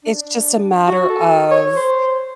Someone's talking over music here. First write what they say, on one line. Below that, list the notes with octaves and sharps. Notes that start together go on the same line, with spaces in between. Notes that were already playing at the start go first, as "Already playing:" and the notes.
it's just a matter of,
D4
F#4
A4
C#5
C5